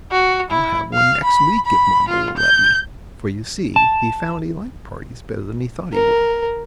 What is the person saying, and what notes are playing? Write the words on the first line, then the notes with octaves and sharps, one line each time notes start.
"I'll have one next week, if mamma will let me," for you see he found he liked parties better than he thought he would.
F#4
E4
F5
B5
B5
F4
G6
A5
A#4